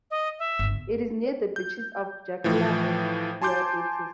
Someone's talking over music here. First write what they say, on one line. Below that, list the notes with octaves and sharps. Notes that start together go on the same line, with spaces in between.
It is near the beaches of Chacala and Guayabitos.
D#5
E5
G1 C#2
G6
A2 E3 F3
G#5 A5 C6 D6 G6